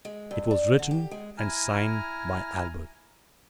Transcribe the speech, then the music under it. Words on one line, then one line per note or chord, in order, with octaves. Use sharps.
It was written and signed by Albert.
G#3
G2
D4
D3
G4
G#3
E4 G#5 A#5 F6